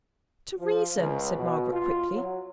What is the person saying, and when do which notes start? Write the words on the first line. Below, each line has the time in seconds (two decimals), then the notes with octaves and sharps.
'To reason!' said Margaret, quickly.
0.58 F3
0.96 C#2
1.36 B2
1.72 F4
2.13 F#3